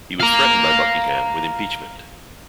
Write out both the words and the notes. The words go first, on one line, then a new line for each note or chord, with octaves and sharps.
He was threatened by Buckingham with impeachment.
F5 A#5